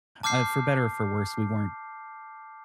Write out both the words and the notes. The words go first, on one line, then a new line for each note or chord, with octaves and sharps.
uh, for better or for worse, we weren't,
A5 D6 F6 G6 C7